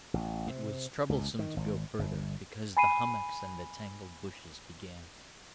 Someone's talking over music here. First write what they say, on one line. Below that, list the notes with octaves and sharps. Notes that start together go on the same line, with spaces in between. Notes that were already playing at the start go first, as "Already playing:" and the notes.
It was troublesome to go further because the hummocks and the tangled bushes began.
A1
C3
C#2
D#3
G#1
G1
G#5 B5 C7 D#7